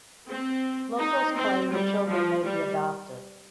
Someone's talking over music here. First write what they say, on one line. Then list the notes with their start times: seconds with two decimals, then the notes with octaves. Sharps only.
Locals claim the children may be adopted.
0.29 C4
1.00 D#4
1.36 C4
1.72 G3
2.08 F3
2.43 G3